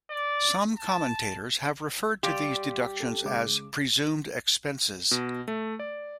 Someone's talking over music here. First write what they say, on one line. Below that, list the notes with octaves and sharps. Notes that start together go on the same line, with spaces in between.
Some commentators have referred to these deductions as "presumed expenses".
D5
A5
G3 G4 F5 C6 D6
A4
C#3 G#3 D6
B2
A3
D5